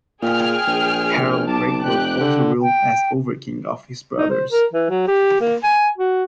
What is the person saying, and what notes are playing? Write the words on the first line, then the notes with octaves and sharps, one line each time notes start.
Harald Greycloak also ruled as "overking" of his brothers.
A#2 G#4 G5 F6
A#1
B1 A5 D6
F1 G4 G5 F#6
D3
G5
D#4
C5
A#4
E3
F#3
G4
A#3
G#5
F#4